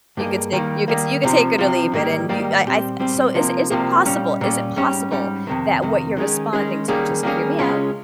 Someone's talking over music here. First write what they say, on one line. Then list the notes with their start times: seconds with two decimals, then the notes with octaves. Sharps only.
You could take you could you could take it or leave it, and you I I th so, is is it possible is it possible that what you're responding to- just hear me out-
0.17 G2 G3 A#3 D#4 G#4
0.53 D#3 G3 A#3
0.88 D#3 G3 A#3
1.23 C2 C3 F3
1.58 C2 C3 F3
1.93 G#2 D#3 G3 A#3 D#4
2.29 G#2 D#3 G3 A#3 D#4
2.64 A#2 G3 C4 G4
3.00 A#2 G3 C4 G4
3.35 C2 C3 F3 A#3
3.70 C2 C3 F3 A#3
4.06 A#2 G3 C#4
4.41 A#2 G3 C#4
4.76 G#2 G3 C#4
5.11 G#2 G3 C#4
5.47 F2 C3 D#3
5.82 F2 C3 D#3
6.17 D#3 G#3 C#4 G#4
6.53 D#3 G#3 C#4 G#4
6.88 D#3 G3 A#3 C#4 G#4
7.23 D#3 G3 A#3 C#4 G#4
7.59 C#2 C#3 G#3 C#4 F4